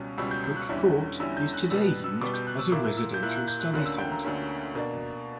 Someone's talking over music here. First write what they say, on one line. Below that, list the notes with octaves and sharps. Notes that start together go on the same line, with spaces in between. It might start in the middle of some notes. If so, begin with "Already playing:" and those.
Hooke Court is today used as a residential study centre.
Already playing: C#2 B2 G3 C#4
C#2 B2 G3 C#4 E6
G6
G6
F#6
E2 D3 G3 C#4 E4
E2 D3 G3 C#4 E4 E6
G6
F#6
B2 G3 B3 E6
F#6
E6
B2 G3 B3 D6
G6
F#6
E6
A#2 A#3 E4 D6
E6
G6
A#2 A#3 E4 F#6
G6
F#6
G6
F#6
D2 D3 A#3 C#4 F#6
E6
G5
A#5
D2 D3 A#3 C#4
B2 A#3 D4